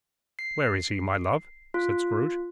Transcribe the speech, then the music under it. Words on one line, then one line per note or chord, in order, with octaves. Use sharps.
'Where is he, my love?' said Scrooge.
C7
F4